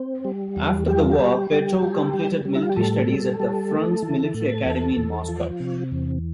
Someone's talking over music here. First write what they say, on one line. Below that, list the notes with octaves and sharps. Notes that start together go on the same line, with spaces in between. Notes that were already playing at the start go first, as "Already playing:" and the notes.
After the war, Petrov completed Military Studies at the Frunze Military Academy in Moscow.
Already playing: C4
G3
E2
G3 G4
F4
G4
G3
G3
G3
G3
G3
E4
F4
G4
A2 A4
G3
G3
A3
E3
A2
E2
E2
F3
C3
E2